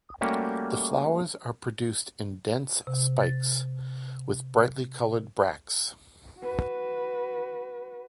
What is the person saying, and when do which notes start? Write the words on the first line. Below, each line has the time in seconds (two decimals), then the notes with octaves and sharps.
The flowers are produced in dense spikes, with brightly coloured bracts.
0.21 G3 A3 A#3 C#4 F#4 G4
2.87 C3
3.21 A6
6.39 F#4 B4